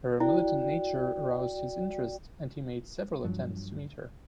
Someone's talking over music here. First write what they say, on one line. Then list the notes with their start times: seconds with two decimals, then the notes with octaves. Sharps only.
Her militant nature aroused his interest and he made several attempts to meet her.
0.20 E4 F#4 D5 G5
3.24 G2 F3 F#3